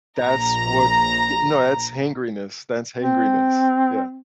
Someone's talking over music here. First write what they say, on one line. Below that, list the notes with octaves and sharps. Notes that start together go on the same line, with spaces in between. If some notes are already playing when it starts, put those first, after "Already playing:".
That's what y no, that's hangryness, that's hangryness. Yeah.
A#1 A#5
C4